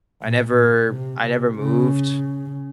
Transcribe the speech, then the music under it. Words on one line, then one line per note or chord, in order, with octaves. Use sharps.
I never I never moved.
A#2
A#2
C3
C3
C#3